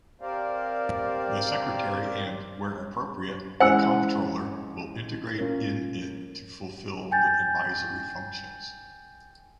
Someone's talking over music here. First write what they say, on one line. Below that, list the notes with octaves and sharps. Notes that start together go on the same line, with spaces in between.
The secretary and, where appropriate, the comptroller, will integrate in it to fulfill the advisory functions.
C4 G4 A#4 C5 D5 F5
E3 G#3 C#4 C5 F#5 G#5 E6
A#3 C#4 F4
G5 G#5 G6 A6